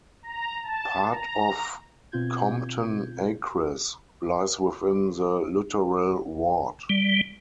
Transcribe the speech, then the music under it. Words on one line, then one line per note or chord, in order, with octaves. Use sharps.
Part of Compton Acres lies within the Lutterell Ward.
A#5
A5
A#5
B2 C4 F4 G6 G#6
G3